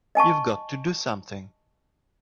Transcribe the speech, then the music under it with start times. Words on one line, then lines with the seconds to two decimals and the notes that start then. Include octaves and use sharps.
You've got to do something!
0.15 D#5 G#5 A5 C#6